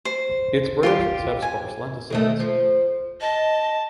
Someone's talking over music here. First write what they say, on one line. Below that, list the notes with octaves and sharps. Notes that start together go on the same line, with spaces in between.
Its branches have sparse lenticels.
C5
F4 G4 C6
G#5
B2 D#3 A3
F3
D#5 A5